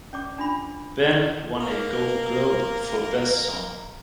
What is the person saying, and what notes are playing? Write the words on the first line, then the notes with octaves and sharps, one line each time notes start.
"Ben" won a Golden Globe for Best Song.
C#4 D5 D6
D4 F4 B5
A#3 A#4